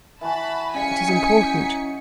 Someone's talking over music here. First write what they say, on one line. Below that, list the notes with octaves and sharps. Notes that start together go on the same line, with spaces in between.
It is important.
E3 F#4 E5 A5 B5
C#3 G3 C#4 G#5 B6 C#7
C#4 D#4 E4 G#4
F#3